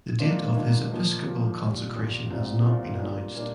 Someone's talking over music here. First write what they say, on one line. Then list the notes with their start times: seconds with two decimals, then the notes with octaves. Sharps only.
The date of his episcopal consecration has not been announced.
0.19 G#2 D#3 A#3 D4 F4
0.54 G#2 D#3 A#3 D4 F4
0.89 A#2 F3 A#3
1.24 A#2 F3 A#3
1.60 A#1 A#2 G3
1.95 A#1 A#2 G3
2.30 C2 A#2 G3 C4 F4
2.65 C2 A#2 G3 C4 F4
3.01 A#2 G3 A#3 D4
3.36 A#2 G3 A#3 D4